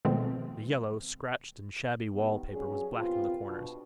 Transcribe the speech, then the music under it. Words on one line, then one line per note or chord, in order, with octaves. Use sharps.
The yellow, scratched and shabby wall-paper was black in the corners.
B2 D#3 F3 G#3 A3 C4
D#3 G3 B3
G2 F#3 C#4 G#4
C3 B3 C4 F4
B2 D4